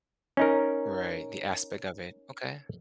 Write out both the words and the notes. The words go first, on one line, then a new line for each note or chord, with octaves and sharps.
Right, the aspect of it. Okay.
C#4 D#4 A#4